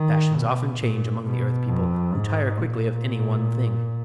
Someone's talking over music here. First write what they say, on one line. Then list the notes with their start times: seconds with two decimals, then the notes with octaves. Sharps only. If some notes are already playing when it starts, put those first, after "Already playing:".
Fashions often change among the earth people, who tire quickly of any one thing.
Already playing: D#3
0.36 B2
0.80 A#2
1.25 B2
1.69 F2
2.14 G#2
2.58 A#2